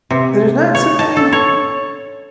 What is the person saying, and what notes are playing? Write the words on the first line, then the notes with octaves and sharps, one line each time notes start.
there's not too many
C3
C#5
A5
A4
C#5